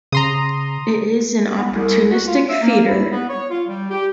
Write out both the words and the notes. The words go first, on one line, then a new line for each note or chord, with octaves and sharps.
It is an opportunistic feeder.
C#3 A#5 C6 D#6
B3
C2
F#4
F4
E5
A#3
E4
B3
C#5
F4
G3
G4